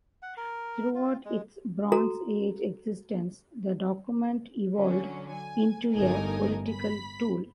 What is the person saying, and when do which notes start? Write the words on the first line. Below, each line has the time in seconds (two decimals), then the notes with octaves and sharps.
Throughout its Bronze Age existence, the document evolved into a political tool.
0.23 F#5
0.37 A#4
0.95 F4
1.25 G#3
1.92 F#4 A4 A#5
4.76 D3 F#3 C#4
5.32 G#5
5.94 G1 A2 A3 D#4 A#4 G#5
6.71 B5 B6